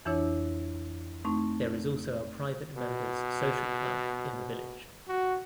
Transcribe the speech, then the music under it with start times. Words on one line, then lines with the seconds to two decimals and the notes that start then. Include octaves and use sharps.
There is also a private members social club in the village.
0.05 F2 E3 D4 E4 C#5
1.25 A3 C4 D#4 C#6
2.77 B2
5.08 F#4